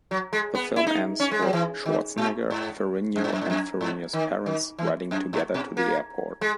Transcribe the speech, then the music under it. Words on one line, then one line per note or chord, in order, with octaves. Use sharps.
The film ends with Schwarzenegger, Ferrigno, and Ferrigno's parents riding together to the airport.
F#3
G#3
B3
E4
D#4
C#4
G#3
F#3
E3
D#3
A#2
G#2
F#2
G#2
F#2
G#2
F#2
G#2
D#3
D#3
E3
F#2
G#2
B2
A#3
G#3